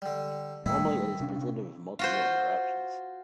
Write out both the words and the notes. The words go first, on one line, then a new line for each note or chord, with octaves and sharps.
Normally it is presented with multiple interruptions.
D3 G3
A#2 D#3 G3 A3 E4
C3 C#4 D4
F4 F#4 C5